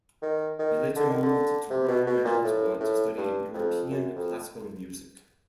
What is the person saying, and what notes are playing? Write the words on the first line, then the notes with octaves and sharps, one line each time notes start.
He later moved to Rome and Ottawa to study European classical music.
D#3
D#3
D3
D#3
D3
C3
B2
B2
A#2
A2
A2
G2
F2
F#2
F2